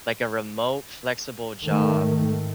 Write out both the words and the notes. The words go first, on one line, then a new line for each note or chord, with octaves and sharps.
like, a remote flexible job,
G#2 D#3 A3